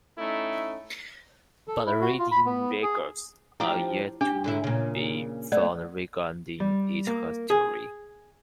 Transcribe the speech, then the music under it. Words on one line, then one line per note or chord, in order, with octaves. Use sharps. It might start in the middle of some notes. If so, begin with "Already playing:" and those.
But written records are yet to be found regarding its history.
A3 C#4 D#4 E4
A4
E4
F#4
F4
B5
B3
G#4
F3 D4 E4 G4
D4 G4
G#2 D3 E4
A#2 C#3
A3 B3 C#5 D5 F#5
G3
A#3
G#4